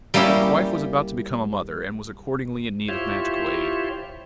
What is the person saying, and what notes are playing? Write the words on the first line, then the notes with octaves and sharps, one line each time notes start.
His wife was about to become a mother, and was accordingly in need of magical aid.
G3 A#3 C#4 E4 G4
E4 F4 G4 C5 C#5